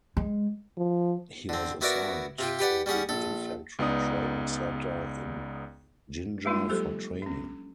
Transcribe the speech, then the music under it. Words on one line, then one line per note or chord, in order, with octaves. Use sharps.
He was assigned to the Infantry Training Centre in Jinja for training.
G#3
F3
D3 C4
B3 E4 F#4 A#4 D5 E5
C3 F4 G4
G4 B4 D5 F#5
G3 C#4 G#4 F#5
A#1 A4
C#2 B3 D#4 D5 D#6
G3 G#3 A#3 D4 D#4 F4
F#3 A#3 G4 A4 C5
C#4 D4